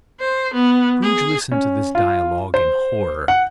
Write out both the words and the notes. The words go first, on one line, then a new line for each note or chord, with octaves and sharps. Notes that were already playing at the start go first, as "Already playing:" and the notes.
Scrooge listened to this dialogue in horror.
C5
B3
G#4
C#4
F4
C5
F#5